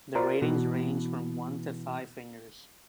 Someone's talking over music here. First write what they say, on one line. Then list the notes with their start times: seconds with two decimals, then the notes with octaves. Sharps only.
The ratings range from one to five fingers.
0.15 F4 A#4 C5 D5 A#5
0.42 B2 E3 F#4